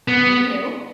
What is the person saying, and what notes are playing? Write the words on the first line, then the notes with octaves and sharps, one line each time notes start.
And we do.
B3